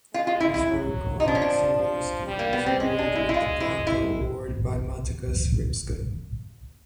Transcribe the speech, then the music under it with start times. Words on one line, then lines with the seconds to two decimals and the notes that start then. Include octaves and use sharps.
His work on Crnjanski was awarded with the Branko Award by Matica Srpska.
0.14 G#3 F4
0.27 F4
0.40 E4
0.54 E4
0.67 F#3
1.20 F3 D#4
1.28 D4
1.35 C#4
1.42 D4
1.74 F3
2.27 G3
2.39 A#3
2.53 B3
2.66 C4
2.80 G#3 C#4
2.99 D4
3.15 E4
3.29 E4
3.34 F4
3.60 E4
3.87 E4